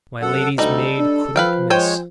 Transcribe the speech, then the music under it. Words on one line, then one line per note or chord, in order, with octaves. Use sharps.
My lady's maid couldn't miss.
F#2 A4 F#5
D2 G3 D#4 A4
D4
F3 B4 F5 G5
G#3 C5 C#5 G5 G#5